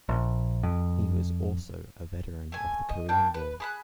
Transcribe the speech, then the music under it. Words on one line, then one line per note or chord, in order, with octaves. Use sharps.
He was also a veteran of the Korean War.
A#1
F2
A3 G#5
D#5
A#3 D4 G5
B4
G#4 B5 F#6